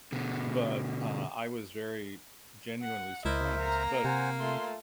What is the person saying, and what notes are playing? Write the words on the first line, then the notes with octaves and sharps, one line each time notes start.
But, uh, I was very, genuinely surprised, but
B2 D3
F#5
C#2 E4 A#4 C5 D#5 E5
A#3 A#5
C3 C5 F#5 G#5
A3 F4 C6